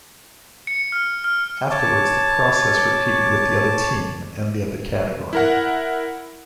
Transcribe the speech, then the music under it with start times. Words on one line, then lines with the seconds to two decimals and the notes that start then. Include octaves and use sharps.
Afterwards, the process repeated with the other team and the other category.
0.67 C#7
0.92 F6
1.24 F6
1.71 C#5 A5 D6
5.33 E4 A#4 F#5